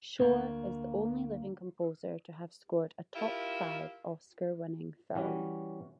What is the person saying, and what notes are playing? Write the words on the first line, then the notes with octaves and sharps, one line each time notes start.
Shore is the only living composer to have scored a "Top Five" Oscar-winning film.
D2 A#3
E4 F4 G4 A#4 E5
E3 G3 C#4 F#4